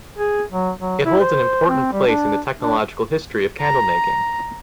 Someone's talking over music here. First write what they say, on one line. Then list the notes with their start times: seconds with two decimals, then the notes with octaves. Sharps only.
It holds an important place in the technological history of candle making.
0.18 G#4
0.51 F#3
0.79 F#3
1.05 E4
1.20 C5
1.68 C4
1.93 G3
2.07 D4
2.61 D4
3.60 A#5